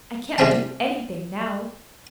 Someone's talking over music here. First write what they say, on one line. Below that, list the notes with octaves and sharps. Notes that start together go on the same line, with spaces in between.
"I can't do--anything, now."
C2 G2 C3 C4 G5 A5